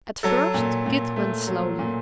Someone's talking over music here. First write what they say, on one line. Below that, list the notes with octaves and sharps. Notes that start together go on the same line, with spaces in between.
At first Kit went slowly.
F#3 A4
A#2
A#2
A3
F#3
A#2